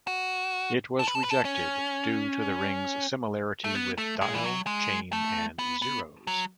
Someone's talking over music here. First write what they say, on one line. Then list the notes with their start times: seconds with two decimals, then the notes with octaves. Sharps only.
It was rejected due to the rings' similarity with "dial", "chain" and "zeros".
0.07 F#4
0.99 A4
1.07 B4
1.15 A4
1.23 B4
1.30 A4
1.45 C#4
3.64 A3
3.75 B3
3.98 A3
4.21 G#3
4.35 E3
4.44 F#3
4.67 G#3
5.13 A3
5.59 B3
5.82 B3
6.27 F#3